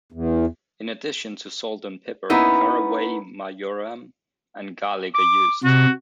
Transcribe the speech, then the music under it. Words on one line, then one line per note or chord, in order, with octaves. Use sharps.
In addition to salt and pepper, caraway, marjoram, and garlic are used.
E2
A#3 B3 C#4 D#4 E4
D6
C3 F#4